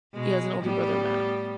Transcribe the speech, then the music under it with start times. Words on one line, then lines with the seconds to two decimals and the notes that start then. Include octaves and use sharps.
He has an older brother, Matt.
0.14 B2 G#3
0.62 A2 G3 B3